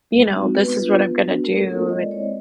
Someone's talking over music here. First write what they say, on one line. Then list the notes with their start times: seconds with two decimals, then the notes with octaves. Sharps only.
you know, "This is what I'm gonna do," and
0.11 G#3
0.34 C4 D#4 F#4
0.55 B3 B4
0.78 D4 F4
1.00 B3
1.23 D4 F#4
1.44 A3 A#4
1.57 A4
1.66 A#3 C4 F4 A#4
1.88 G#3 D#5
2.00 D5
2.11 C4 E4 C#5
2.22 C5